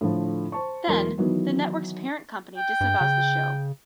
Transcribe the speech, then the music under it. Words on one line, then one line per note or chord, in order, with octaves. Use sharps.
Then, the network's parent company disavows the show.
A2 D3 F3
C5 A5 C#6
E1 E3 F#3 A#4 C6
D#3 E3 F#3 B3
G5
G2
C#3